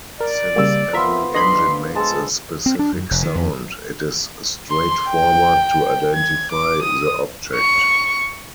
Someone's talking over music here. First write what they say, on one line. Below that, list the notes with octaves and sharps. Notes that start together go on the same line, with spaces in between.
Since every engine makes a specific sound, it is straightforward to identify the object.
A#4 D5
C#3 G3 A#3 G5 E6
F3 B3 A#4 E5 C6
D4 D#5 B5 C6
G#3 A4 A5
C4
D4
F#2
F1
D#3
F2
C6
G5
G#6
D6
D#6
C#6